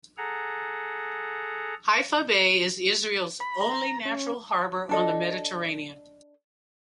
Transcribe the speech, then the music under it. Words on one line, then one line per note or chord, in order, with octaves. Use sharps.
Haifa Bay is Israel's only natural harbor on the Mediterranean.
G#4 A4 F#5 A#5
B5
A#5
C#4
D4 A4 D#5